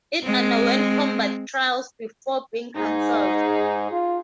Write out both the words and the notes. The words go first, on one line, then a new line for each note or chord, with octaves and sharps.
It underwent combat trials before being canceled.
G#3 C4
G#2 D#4 G#4
F4